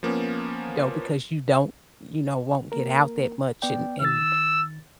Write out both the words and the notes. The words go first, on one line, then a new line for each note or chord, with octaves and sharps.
though, because you don't, you know, won't get out that much and and,
F3 A#3 B3 C#4
A#3 A#4
B3 D5 G5
D#3 E6 A6